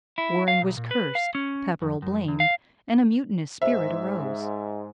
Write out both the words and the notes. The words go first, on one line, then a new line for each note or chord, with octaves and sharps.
Warren was cursed, Pepperrell blamed; and a mutinous spirit arose.
E4
F5
B1
A#2
B4
F5
C#4
F2
F#2
E2
F5
G#2 G#3 C5 E5